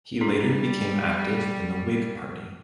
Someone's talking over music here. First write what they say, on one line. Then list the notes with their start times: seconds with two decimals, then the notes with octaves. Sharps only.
He later became active in the Whig Party.
0.21 G3 D4 E4 G#4